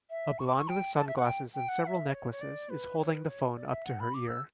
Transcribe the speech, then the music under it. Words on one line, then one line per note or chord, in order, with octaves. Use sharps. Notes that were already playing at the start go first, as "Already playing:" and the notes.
A blond with sunglasses and several necklaces is holding the phone up to her ear.
E5
C#6
D6
C#6
G5
A5
E5
F#5
G5
G5
F#5
F#5
E5
C#5
C#5
D5
B4
C#5
B4
C#5
D5
E5
F#5
B5
D6
E6